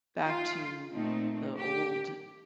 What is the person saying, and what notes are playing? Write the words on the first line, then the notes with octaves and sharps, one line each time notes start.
back to the Old
F4
A#2 A3 C4 D#4
G4